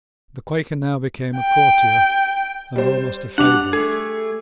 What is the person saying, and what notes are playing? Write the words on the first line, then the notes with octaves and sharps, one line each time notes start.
The Quaker now became a courtier, and almost a favourite.
G5
G3 C5
G3 D4 F#5 D6 F7
A3 G#4 A4